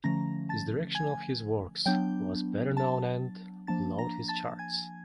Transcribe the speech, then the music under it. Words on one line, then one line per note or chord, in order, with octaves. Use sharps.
His direction of his works was better known and loved his charts.
D3 F3 A3 C#4 A#5 A#6
A5 A6
G#5 G#6
F#3 B3 D4 G5 G6
A5 A6
F3 A#3 D4 A5 A6
A#5 A#6
A5 A6
G#5 G#6